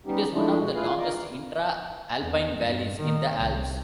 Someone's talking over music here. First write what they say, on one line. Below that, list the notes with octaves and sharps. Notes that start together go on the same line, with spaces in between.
It is one of the longest intra-alpine valleys in the Alps.
G3 B3 C#4 D#4 G4
F3 G#3 A3 D4 E4
B2 G#3 F#4
E4 F4 G#4 B4 F5
F4 A#4 D5 D#5 F5
E2
G2
D#3
C2